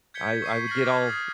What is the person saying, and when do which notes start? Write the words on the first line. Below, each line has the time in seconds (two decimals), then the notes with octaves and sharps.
I I would get all
0.14 G6 G#6 B6 C#7 G7
0.42 C#6 B6 C7 D#7
0.68 F6 A6 A#6 C7 D#7 F#7
0.84 D6 F6 G#6
1.06 D#6 A6 C7